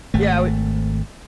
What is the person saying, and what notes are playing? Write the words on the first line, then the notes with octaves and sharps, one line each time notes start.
Yeah, we
G#1 A3